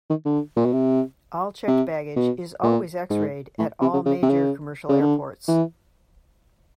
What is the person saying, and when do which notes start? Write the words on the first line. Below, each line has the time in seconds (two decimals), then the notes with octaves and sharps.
All checked baggage is always x-rayed at all major commercial airports.
0.09 D#3
0.25 D3
0.57 A#2
0.65 B2
0.72 C3
1.68 C3
2.16 B2
2.63 A#2
3.10 G#2
3.58 A2
3.81 C3
3.93 C#3
4.05 C#3
4.22 C3
4.29 C#3
4.89 C#3
5.00 D3
5.48 E3